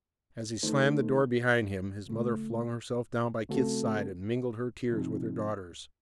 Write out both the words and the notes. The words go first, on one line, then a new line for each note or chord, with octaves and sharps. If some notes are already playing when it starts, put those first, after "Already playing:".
As he slammed the door behind him, his mother flung herself down by Kit's side and mingled her tears with her daughter's.
D#3 A3 D#4 A4 C5
C#2 C#3 A3
C#3 A3 C4 F#4 A4
C#2 C3 F3 C4 D#4